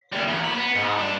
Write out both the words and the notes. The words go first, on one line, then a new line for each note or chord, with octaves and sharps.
Between eleven and twelve?
D2 G3
E2
F#3 B5
B3
G#2
G2 D4